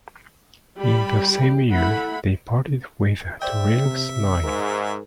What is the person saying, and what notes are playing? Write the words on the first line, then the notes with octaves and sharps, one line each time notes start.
In the same year, they parted with Toril Snyen.
G3 G4 B5
A3 E4 F#5 B5
C5 D5 E5 G5
C3
G#2 A#4